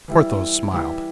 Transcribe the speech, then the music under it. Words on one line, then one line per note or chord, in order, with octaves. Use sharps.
Porthos smiled.
E3 G3 E4 G4
E3 G3 E4 G4